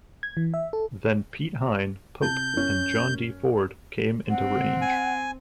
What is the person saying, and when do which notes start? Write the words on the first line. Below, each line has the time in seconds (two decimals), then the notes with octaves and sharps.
Then "Piet Hein", "Pope" and "John D. Ford" came into range.
0.23 G#6
0.37 E3
0.54 E5
0.73 A4
2.22 C3 A5 G6
2.53 F#2 C#4
4.30 C4 F#5
4.81 G#5